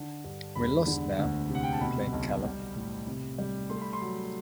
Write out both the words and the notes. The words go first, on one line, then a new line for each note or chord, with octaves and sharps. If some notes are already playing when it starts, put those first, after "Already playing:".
"We're lost now," complained Callum.
Already playing: D3 A5
G2
E1 B5
D3
D2
C3
F#5
G5
A5
B2 B5
B1
G3
A2
C3
G3
A3 C6
B5
C6
F#3